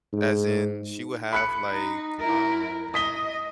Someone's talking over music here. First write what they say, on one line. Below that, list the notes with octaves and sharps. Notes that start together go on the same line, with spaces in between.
as in, she would have, like, um
G#2
B5 F#6 C#7
D#4
E4 A#4
D#5 D#6 B6 G7